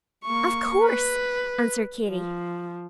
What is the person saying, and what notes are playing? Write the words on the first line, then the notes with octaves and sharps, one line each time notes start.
"Of course," answered Katy.
A#3 C#6
B4
F3